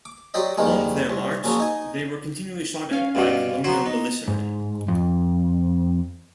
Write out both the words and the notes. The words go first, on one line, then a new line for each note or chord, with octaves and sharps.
On their march, they were continually shot at by colonial militiamen.
D6
F#3 F#4 G4 C5 D5 D#5
F2 D#3 G3 G#3 A#3
C2
A#2 C#3 F3 F#3
D#4 G#5
C#4 F5
G2 B2 G3
F#3 B3 C5 C#5 A#5
D#4
G#2
F2